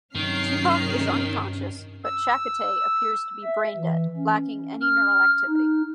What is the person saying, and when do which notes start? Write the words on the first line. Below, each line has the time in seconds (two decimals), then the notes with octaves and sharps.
Tuvok is unconscious, but Chakotay appears to be brain dead, lacking any neural activity.
0.15 G2 C3 D#3 F#3 C#4 F6 C7
2.05 E6
3.44 E5
3.77 E3
4.17 C#4
4.81 F6
5.48 D#4